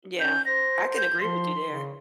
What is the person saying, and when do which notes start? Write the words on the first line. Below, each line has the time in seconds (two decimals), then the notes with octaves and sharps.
Yeah, I can agree with you there.
0.20 C#4 G6
0.46 C5 A#6
0.97 G6
1.21 F3 C6
1.70 C#3